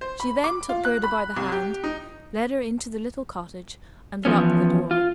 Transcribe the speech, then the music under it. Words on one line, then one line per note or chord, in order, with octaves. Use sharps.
She then took Gerda by the hand, led her into the little cottage, and locked the door.
C5
B5
D6
F4
F#6
B5
C2
G4
D#4
E3 F3 B3 C#4
F4